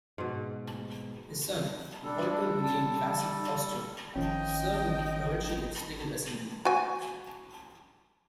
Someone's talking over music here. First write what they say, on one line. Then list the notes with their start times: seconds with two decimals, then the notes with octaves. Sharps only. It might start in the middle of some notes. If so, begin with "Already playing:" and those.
His son, Walter William Vassie Foster, served in the provincial Legislative Assembly.
0.18 G#2 B2
2.03 G3 D4 A4
2.61 A5
4.16 G#1 D#3 F3 C#4 D#5 G5
6.65 F#4 G#5